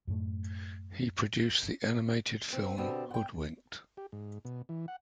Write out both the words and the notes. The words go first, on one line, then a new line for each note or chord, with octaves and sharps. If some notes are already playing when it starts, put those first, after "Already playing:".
He produced the animated film Hoodwinked!
F#2 A2 A3
C4
B2 D3 C4 G4
F#5 G5
G4
G#2
B2
E3
F#5